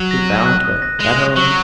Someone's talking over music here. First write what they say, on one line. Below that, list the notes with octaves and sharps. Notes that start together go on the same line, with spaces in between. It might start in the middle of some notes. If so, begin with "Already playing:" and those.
He found her at home.
Already playing: F#3
A#6
D#7
F#6
D#6
A#6
G#3 F7
F#6
F#3 C#6